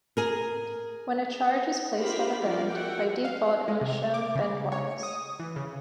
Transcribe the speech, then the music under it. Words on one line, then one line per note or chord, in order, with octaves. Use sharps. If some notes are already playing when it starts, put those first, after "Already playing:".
When a charge is placed on a bend, by default it is shown bendwise.
G#4 A#4
D4 F4 G4 A#4 C5 B5
F3 G#3 B3 C#4 F4 D5
F#4 A#4 E5 F#5 G5
F5
G#3
C3
D6
C#3
C#5
D#6
E3
C#3